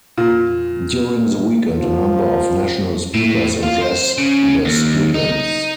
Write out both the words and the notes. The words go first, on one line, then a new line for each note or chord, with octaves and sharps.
During the weekend, a number of national speakers address the students.
A#2
D#3
F3
A2
F4
C5
C#3
D#2
D#4